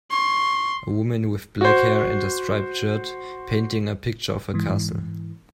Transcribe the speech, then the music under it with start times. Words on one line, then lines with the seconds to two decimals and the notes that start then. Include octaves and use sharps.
A woman with black hair and a striped shirt, painting a picture of a castle.
0.11 C6 C#6
1.61 F#4 C5
4.54 G#2 E3